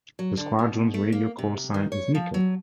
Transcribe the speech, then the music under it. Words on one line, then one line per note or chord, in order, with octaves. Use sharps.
The squadron's radio call sign is "Nikel".
F#3
D3
B2
A3
A#3
C3
D#3
C#5
F3
F#3